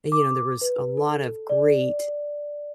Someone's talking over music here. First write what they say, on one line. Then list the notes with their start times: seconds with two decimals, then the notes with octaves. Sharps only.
and, you know, there was a lot of great,
0.12 D6
0.61 B4
0.97 A4
1.49 D5